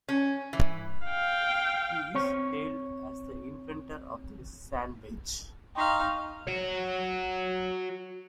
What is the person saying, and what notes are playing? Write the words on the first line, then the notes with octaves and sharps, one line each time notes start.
He is hailed as the inventor of the sand wedge.
C#4
E3
F5 G5
C4 C#5 C#6
D#4 F5 G5 C6 C#6
F#4 C#5